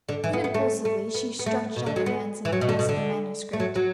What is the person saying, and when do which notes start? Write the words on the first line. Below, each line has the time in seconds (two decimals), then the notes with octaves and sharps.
Then impulsively she stretched out her hands and clasped the manuscript.
0.09 D3
0.24 E3
0.33 B3
0.44 B3
0.54 A3
0.85 A3
1.15 B3
1.39 B3
1.46 A3
1.76 B2
1.86 D3
1.96 F#3
2.06 B3
2.45 E3
2.52 F#3
2.61 B2
2.69 D3
2.79 B2
2.89 D3
3.53 A3
3.60 F#3
3.76 F#3